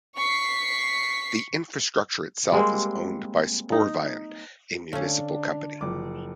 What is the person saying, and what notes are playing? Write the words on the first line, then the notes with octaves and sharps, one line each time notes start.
The infrastructure itself is owned by Sporveien, a municipal company.
C#6 B6 C7
G3 G#3 A#3 C4
D#4
D3 A3 C#4 D4 D5 F5
F#1 F3 D6